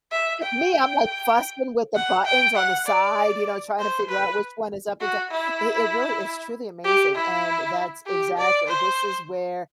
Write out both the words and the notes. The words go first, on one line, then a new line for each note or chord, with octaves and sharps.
Me, I'm like fussing with the buttons on the side, you know, trying to figure out which one is up and down. It it really is truly amazing, and that's exactly this is where
E5
G5
F#5
G5
F#5
D5
C5
B4
F#4
E4
G4
E4
G4
D5
C5